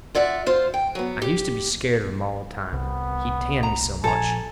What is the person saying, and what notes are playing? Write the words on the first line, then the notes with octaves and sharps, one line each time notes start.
I used to be scared of him all the time, he tanned me so much.
F4 D5 E5 F#5
F4 C5
G5
F#3 B3
G4
C2 B3
A#5
A#1 A4 G#5 A#5